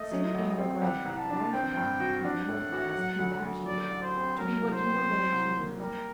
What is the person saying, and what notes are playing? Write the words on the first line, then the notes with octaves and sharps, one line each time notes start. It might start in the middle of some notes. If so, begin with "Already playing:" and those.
Say that you had a brother, long forgotten, who now at last came back to you to be what you were then to him.
Already playing: A3 D#5
F#3
A1
C4
G3 F#5
C2
A5
D4
C4 G5
G2
F#4
D4 F#5
A2
F#4
F#3
D2
D2
F#3 D5
A1
C5
C4
F#3 A#4
C2
C5
C4
F#3
C2
A#3
G3 A#4